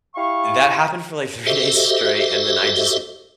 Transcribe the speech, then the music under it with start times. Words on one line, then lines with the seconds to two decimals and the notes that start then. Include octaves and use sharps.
that happened for, like, three days straight, and then I just
0.15 E4 G4 F5 C#6
1.46 F#4 G4 A4 C5 D#5 E5